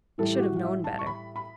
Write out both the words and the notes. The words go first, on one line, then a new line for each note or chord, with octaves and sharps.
I should have known better.
A2 E3 G3 A4
G4
F#4
F#5
E5
A5
C#6
B5
B5